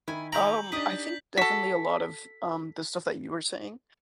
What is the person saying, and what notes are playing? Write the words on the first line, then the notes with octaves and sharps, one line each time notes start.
Um, I think, definitely, a lot of, um, the stuff that you were saying,
D#3 E4 G#5
E4 G4 C#5 A#5 G6 F#7
D4 D#4 G4 D#5 D#6 B6
F#4 A4 B6